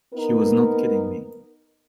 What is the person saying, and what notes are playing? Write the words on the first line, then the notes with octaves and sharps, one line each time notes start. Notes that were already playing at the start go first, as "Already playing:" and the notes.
She was not kidding me.
B3 D#4 A#4